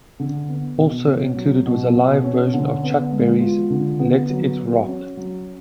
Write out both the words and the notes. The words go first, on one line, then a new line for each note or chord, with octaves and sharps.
Also included was a live version of Chuck Berry's "Let It Rock".
D3
B3
B2
C#4
F#3
B2
B2
C#4
D3
B3
G#3
F4
D3
B3
F#3
F#4
C#4
F#3